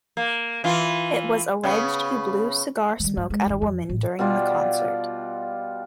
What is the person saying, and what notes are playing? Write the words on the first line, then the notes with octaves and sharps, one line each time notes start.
It was alleged he blew cigar smoke at a woman during the concert.
A#3
E3 F4
C#3 B3
D#3 G3
G2
G#3
F#1 D#3
F2
A1
B2 G3 F4 D5